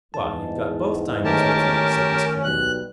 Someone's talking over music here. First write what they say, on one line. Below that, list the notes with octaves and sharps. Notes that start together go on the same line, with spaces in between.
"Why, you've got both Diamonds with you," said Miss Coleman.
E2 G#2 A5
D#3 A3 C#4 G4 A#4 A5
B1 G3 F#6